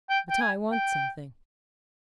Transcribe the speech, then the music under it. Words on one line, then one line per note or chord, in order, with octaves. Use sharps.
But I want something.'
G5
G5
G#5
G5